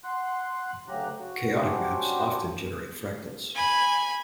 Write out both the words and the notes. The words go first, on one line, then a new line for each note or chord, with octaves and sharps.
Chaotic maps often generate fractals.
F#5 C6 F#6
D2 C#3 F#3 G4 A#5 F#6
F#4
C#4 D4 F#4 G4 C5
G#5 B5